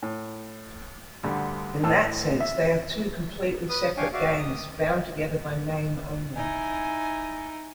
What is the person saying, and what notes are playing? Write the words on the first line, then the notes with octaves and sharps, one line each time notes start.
In that sense, they are two completely separate games bound together by name only.
A2
D2 G2 D3
A2 A5 E6
E5
B4 D#6
D4 C#5 F5 G5 G#5
F#4 D5 E5 F5
D#6
D#4 E4 G#5